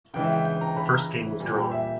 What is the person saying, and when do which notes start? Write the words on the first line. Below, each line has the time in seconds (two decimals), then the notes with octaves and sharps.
The first game was drawn.
0.14 C#3 E3 G#3 G5
0.24 E5
0.33 G5
0.45 G5
0.61 A#5
0.76 B5
0.93 A#5
1.40 A#2 G3 G#5
1.56 G5
1.71 E5